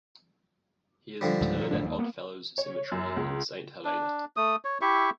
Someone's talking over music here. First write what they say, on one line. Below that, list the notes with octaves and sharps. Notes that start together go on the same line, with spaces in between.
He is interred at Odd Fellows Cemetery in Saint Helena.
D3 F3 G3
C#2 G#2
G2 A#2
F#1 A2 D4
D#2
A#3 B3
C#5
F#2
C#2
D4
A3 D#6
C#5
E4 G4 E5 C#6